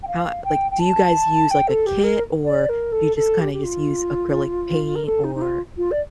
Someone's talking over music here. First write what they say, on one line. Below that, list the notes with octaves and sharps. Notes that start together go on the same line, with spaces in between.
How a like, do you guys use, like, a kit, or do you just kinda just use acrylic paint? Or
G5
F5
G5
G5
A5
G5
A4
G4
A#4
D5
A#4
A4
A4
G4
G4
F4
A#4
A4
D#4
D#4
F4
F4
D5